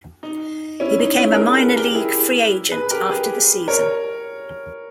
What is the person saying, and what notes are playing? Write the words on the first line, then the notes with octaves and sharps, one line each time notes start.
He became a minor league free agent after the season.
D#4
C#4 E4
D#4
C#4 E4
A#4
E4 G#4
A#4
G#4 B4
G4 A#4
E4 G#4
G#4 B4
G4 A#4
G#4 B4
A#4 C#5